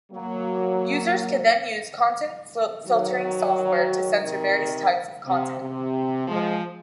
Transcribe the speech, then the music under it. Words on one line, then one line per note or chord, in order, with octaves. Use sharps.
Users could then use content filtering software to censor various types of content.
F#3 A#3
D#3 F#3
C3 D#3
C3
C3
F3 G#3